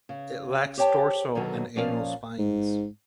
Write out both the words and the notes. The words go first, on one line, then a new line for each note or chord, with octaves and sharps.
It lacks dorsal and anal spines.
C#3
G4 C5 C#5 G5 A5
B2 D3 D#3 F#3 A4
A#2 F3 C#4 A#4 D5 F5
G#2